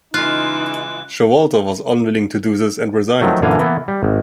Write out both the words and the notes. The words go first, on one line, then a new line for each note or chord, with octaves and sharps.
Showalter was unwilling to do this and resigned.
C#3 E3 G#3 D#4 F4 F#6
D#3 F3 F#3 A3
F#2 A#2 D3 E3 F5 G#5
E3 A#3 B3
G3
G#1